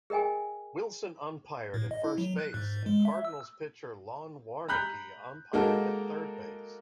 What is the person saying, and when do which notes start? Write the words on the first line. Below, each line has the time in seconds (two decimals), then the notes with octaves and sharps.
Wilson umpired at first base, and Cardinals' pitcher Lon Warneke umpired at third base.
0.10 G#4 A#4 D#5 G5 G#5
1.74 A2
1.91 D#5
2.04 E4
2.18 F#3
2.39 F#6
2.54 G#2
2.86 G#3
3.05 E5
3.25 E6
4.69 A#5 B5 F#6 G6 B6
5.53 G#3 A#3 D#4 F#4 A4 A#4